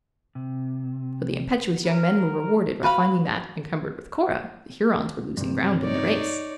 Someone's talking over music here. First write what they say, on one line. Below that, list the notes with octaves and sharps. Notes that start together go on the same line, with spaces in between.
But the impetuous young men were rewarded by finding that, encumbered with Cora, the Hurons were losing ground in the race.
C3
A#4
F#4 B4 F5 B5
G2 C3
D#4 C#5 D5